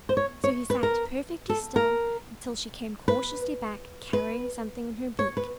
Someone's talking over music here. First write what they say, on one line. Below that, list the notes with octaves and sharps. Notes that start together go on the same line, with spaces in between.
So he sat perfectly still until she came cautiously back carrying something in her beak.
C5
C#5
C#5
B4
A#4
A4
A#4
B4
B4
C#5
B4